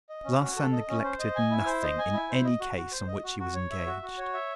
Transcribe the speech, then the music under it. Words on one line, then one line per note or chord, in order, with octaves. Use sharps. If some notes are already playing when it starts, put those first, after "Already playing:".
Larsan neglected nothing in any case on which he was engaged.
D#5
C#4
F#4
A4
D#5
C#4
C5
D#5
G#5
E4
C5
D#5
G#5
E4
C5
D#5
F#4
F#4
C5
D#5
F#4
F#4
C#5
E5
F#4
F#4
C#5
E5